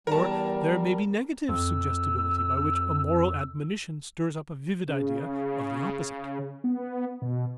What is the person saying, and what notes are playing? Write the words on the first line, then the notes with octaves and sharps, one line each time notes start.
Or there may be negative suggestibility, by which a moral admonition stirs up a vivid idea of the opposite.
E2 G3 A#4 A5
F2 E6
C#3
B3
B2